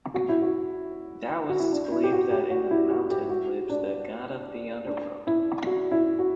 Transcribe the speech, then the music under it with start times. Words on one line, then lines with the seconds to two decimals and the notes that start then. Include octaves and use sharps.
Daoists believed that in the mountain lives the god of the underworld.
0.14 F#4
0.29 E4
0.42 F#4
1.49 F#4
1.60 E4
1.73 D4
1.92 E4
2.04 G4
2.12 F#4
2.31 G4
2.50 F#4
2.71 E4
2.90 F#4
3.11 G4
3.29 F#4
3.69 D4
4.87 D4
5.27 E4
5.66 F#4
5.91 E4
6.19 F#4